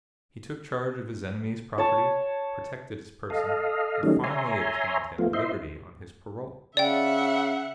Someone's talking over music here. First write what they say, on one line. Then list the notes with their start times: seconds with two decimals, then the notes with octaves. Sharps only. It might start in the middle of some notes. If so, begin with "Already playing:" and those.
He took charge of his enemy's property, protected his person, and finally obtained him liberty on his parole.
1.78 C#5 A5
3.30 A4 D#5 F5
4.03 D#3 F#3 G3 A3 C#4 D#4
4.24 C#5 E5 G#5 A#5 C6
5.18 F3 A3 B3 F4
5.33 E4 C5 D#5 E5 C6
6.77 C#3 D5 E5 F#5 G5